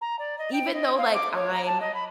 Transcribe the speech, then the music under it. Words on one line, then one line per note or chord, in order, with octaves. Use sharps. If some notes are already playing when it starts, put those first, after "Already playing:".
Even though, like, I'm
A#5
D5
D#5
G5
D#5
F5
D6
C#5
A#5
A5
D#5
B5